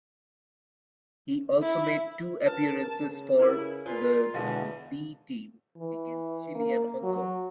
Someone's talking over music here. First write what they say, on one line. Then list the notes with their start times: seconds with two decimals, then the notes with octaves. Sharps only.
He also made two appearances for the B team, against Chile and Hong Kong.
1.62 E4
2.46 A#4 B4 A5
2.97 C#3
3.39 E4 A#4 B4
3.86 F4 G#4 A#4 B4 D5
4.34 E2 B2 D3 G#3 D#5 F5 A5
5.78 E3
6.55 A#3
7.03 F#3